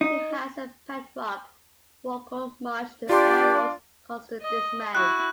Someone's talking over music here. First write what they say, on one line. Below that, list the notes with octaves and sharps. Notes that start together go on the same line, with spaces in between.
She has a pet rock, Rocco, much to Elmo's constant dismay.
D#4
D4 F4 G4 D5 C6
D#5
E4 F#4 C#6 F#6